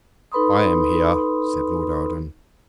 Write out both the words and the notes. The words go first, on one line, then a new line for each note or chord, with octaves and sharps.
"I am here," said Lord Arden.
D#4 A4 B4 B5 C6 D#6